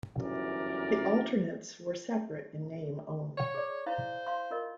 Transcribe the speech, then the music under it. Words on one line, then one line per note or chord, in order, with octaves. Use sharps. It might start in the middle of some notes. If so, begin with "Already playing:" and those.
The Alternates were separate in name only.
G1 F#2 E3 A#4 D5
C#5
G#4 D5
E4 C5 F5
F5 C6
F4 A#4 D#5